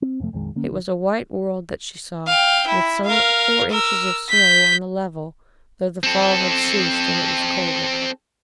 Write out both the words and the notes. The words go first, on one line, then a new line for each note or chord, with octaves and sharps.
It was a white world that she saw, with some four inches of snow on the level, though the fall had ceased and it was colder.
C4
F2 C3 F3 A3
A#1 F2 D#3 G#3
D3 A#3 C#4
B1 D#3
F5 G5
E4
A#4 F5
A#4 E6
G6 B6
C4 A4